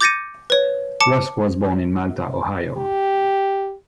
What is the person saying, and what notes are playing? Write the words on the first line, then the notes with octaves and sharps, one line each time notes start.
Rusk was born in Malta, Ohio.
D6 G6 A6 A#6 C#7 D#7
B4 C#5
A5 D6 C#7
G4